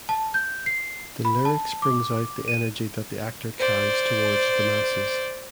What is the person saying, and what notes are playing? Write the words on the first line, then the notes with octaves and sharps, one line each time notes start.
The lyrics brings out the energy that the actor carries towards the masses.
A5
G6
C7
B5
A5
D6
D#7
C5 D5